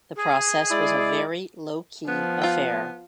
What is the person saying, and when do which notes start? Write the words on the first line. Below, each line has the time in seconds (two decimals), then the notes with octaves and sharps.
The process was a very low-key affair.
0.16 G#4
0.70 G#3 E4 D5
2.08 F3 B3
2.42 F4 G5